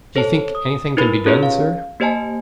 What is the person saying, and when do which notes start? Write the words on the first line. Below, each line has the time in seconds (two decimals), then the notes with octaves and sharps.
"Do you think any thing can be done, sir?"
0.16 A4 C5 C#5 A5
0.55 D#6
0.97 D#4 E4 A#4 B4 B5
1.26 C#4 F4 G4 G#4 B4 C#5
1.43 F5
2.00 A#3 G4 C5 D#5 G#5 A5